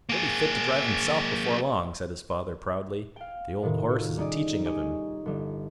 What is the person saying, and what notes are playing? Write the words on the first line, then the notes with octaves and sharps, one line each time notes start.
"He'll be fit to drive himself before long," said his father, proudly. "The old horse is a-teaching of him."
A#3 G#4
F5 G5
A2 C3 D#3
F4 F#4
G3 C#4 D#4 G#4 D5 D#5
G4 C#5 D#5 G#5 D#6
G1 G3